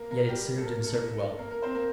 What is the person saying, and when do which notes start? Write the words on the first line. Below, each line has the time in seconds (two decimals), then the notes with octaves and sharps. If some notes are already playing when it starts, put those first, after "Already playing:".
Yet it served and served well.
Already playing: A#3 A#4
0.11 A#3 A#4
0.29 G3 G4
0.58 A4
0.65 A#3 A#4
0.75 A#3 A#4
0.84 A3 A4
0.93 A#3 A#4
1.39 A#3 A#4
1.51 A#3 A#4
1.62 C4 C5
1.75 A#3 A#4